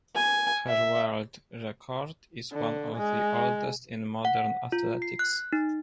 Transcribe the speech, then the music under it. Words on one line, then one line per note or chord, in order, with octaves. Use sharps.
Her world record is one of the oldest in modern athletics.
G#5
E5
D3
G#3
F#5
F4
C7
F#6
D#4